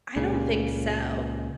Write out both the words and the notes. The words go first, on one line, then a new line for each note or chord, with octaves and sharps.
I don't think so. A
C#2 A#2 C#3